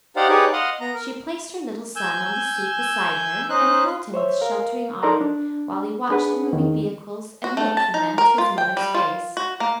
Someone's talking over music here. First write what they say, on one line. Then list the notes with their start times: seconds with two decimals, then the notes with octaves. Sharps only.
She placed her little son on the seat beside her and held him with sheltering arm, while he watched the moving vehicles and looked from them to his mother's face.
0.16 D#4 G4 C5 D5 F5 F#5
0.29 D#4 G4 G#4 B4 C#5 D5
0.53 D#5 F5 F#5 C6
0.81 B3 A#5
0.94 A#4
1.96 G#5 E6 G6
3.50 C#4 D#4 C5 D#5 F#6
4.14 C5 C#5 E5
4.41 A#4 F5
5.02 D#4 A4 A#4 D5 A#5 C6
5.21 D4
6.09 A#3 D4 G#4 B4 F#5
6.53 E2 D#3
7.44 F#4
7.57 A3
7.77 A5
7.94 D#4
8.18 A#4
8.38 F4
8.58 G5
8.77 G3
8.95 F4
9.37 F#4
9.60 A#3